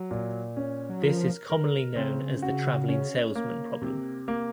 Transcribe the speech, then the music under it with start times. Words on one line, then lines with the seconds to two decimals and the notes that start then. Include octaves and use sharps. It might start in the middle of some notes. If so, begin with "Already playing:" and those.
This is commonly known as the traveling salesman problem.
Already playing: F#3
0.11 A#2
0.57 C#4
0.89 F#3
1.02 F3 A#4
1.50 A#4
1.96 C#3 C4
2.42 F#4
2.88 C#4
3.35 A#3
3.82 C3
4.28 A#3